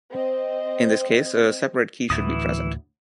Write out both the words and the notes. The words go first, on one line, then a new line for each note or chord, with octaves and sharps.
In this case, a separate key should be present.
C4 D#5
D2 A2 E3 E4 D#6